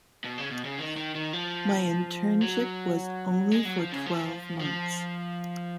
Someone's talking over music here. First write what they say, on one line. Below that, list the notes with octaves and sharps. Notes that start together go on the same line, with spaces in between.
My internship was only for twelve months.
B2
C#3
B2
C#3
D#3
D#3
D#3
F3
F#3
G#3
F#3
F3
C#3
F3
F3